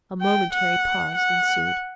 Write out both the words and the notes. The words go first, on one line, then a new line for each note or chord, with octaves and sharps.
A momentary pause ensued.
G5
F#5
F#5